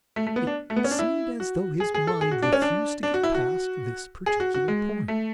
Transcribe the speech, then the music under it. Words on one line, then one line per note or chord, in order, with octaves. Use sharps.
It seemed as though his mind refused to get past this particular point.
A3
A3
B3
D4
A3
B3
C#4
D4
E4
F#4
G#4
G#4
A4
G#4
F#4
D4
C#4
D4
D4
F#4
E4
F#4
G#4
F#4
F#4
G#3
A3